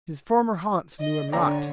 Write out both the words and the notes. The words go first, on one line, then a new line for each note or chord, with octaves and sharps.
His former haunts knew him not.
D#5
D3 C#5 D5 G5 A#5